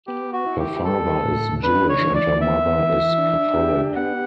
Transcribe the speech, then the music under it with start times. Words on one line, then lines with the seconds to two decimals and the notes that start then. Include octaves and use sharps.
Her father is Jewish and her mother is Catholic.
0.07 B3 G4
0.33 F#4
0.46 E4
0.60 G4
0.84 G3 A4
1.24 A2
1.63 D4 B4
1.89 C#5
2.01 E3
2.15 D5
2.40 B3 E5
2.79 E3
3.18 D4
3.57 G4
3.96 B3 F#5